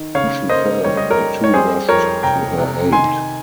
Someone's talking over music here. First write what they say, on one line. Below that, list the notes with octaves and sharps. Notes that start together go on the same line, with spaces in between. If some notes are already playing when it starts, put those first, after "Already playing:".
When she fell the two rushed to her aid.
Already playing: D#3
C#3 C#5 F5
A#3 C5 D#5
G3 C#5
D#5
A#4 C#5
G3
C#5
G3 G#4 C5
F2 A#4 C#5
C3 G5 A#5
C3
D#3 G#5 C6